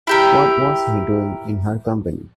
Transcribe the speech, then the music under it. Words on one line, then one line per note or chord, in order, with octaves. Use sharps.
What was he doing in her company?
E4 G4 A#4